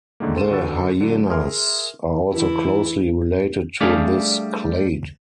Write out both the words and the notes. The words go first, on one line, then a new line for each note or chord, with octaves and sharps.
The hyenas are also closely related to this clade.
A2 D3 D#3 G#3 A#3
C#2 A4 C5 C6 D#7 E7
D3 F#4 B4 E6 A6
D3 F#3
G#4 A#4 E5 C6 F6
E3 E4
G3 A3 D4 G#4 E5 F5